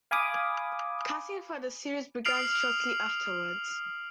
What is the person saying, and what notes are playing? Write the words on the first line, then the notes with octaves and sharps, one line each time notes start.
Casting for the series began shortly afterwards.
F5 G#5 B5 D6 D#6
D#6 F6 C7 D7 F7 F#7